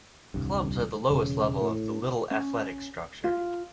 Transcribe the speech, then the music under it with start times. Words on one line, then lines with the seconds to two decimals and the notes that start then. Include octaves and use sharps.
Clubs are the lowest level of the Little Athletics structure.
0.34 D#1 C2 G2
1.11 E1 C#3
1.61 A2
2.31 C#4
3.24 F4